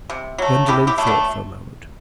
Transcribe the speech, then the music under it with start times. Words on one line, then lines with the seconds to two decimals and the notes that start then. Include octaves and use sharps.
Gwendolen thought for a moment.
0.10 C3
0.38 F#3 A3
0.68 C3 E4 G4
0.87 E4 G4
0.98 F#3 A3
1.07 B3 D4